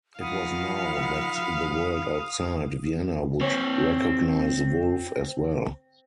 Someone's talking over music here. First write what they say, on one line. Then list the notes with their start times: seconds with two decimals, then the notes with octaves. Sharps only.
It was now that the world outside Vienna would recognize Wolf as well.
0.20 D#3 F3 F5 F#5 B5 D#6
3.40 C4 C#5